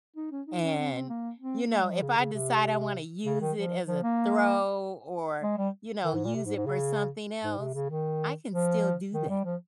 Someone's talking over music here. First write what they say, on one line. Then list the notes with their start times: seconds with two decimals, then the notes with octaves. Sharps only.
and, you know, if I decide I wanna use it as a throw, or, you know, use it for something else, I can still do that,
0.16 D#4
0.31 C#4
0.47 D#4
0.62 C#4
0.78 C4
0.94 C4
1.09 A#3
1.40 C4
1.71 A#3
1.81 G3
1.91 F3
2.02 C#3
2.17 C#3
2.33 C3
3.25 C#3
3.41 D#3
3.57 F3
3.87 F3
4.03 A#3
5.42 G#3
5.58 G3
6.04 D#3
6.14 G#2
6.25 A#2
6.35 C3
6.45 G#2
6.56 G#2
6.66 C#3
7.43 G#2
7.58 C3
7.74 C#3
7.90 D#3
8.51 F3
9.13 D#3
9.29 G3
9.45 F3